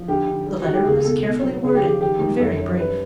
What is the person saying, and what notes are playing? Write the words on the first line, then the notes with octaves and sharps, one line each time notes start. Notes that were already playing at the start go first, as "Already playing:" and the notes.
The letter was carefully worded, and very brief.
Already playing: F3
D2 G4
D3
G3
D#3 F#4
G4
C#2 G#4
B2 A4
B2
F#3
C#3 G#4
G4
F3
G4
D#3 G4
D#3
F#2 A4
F#2
G3 B4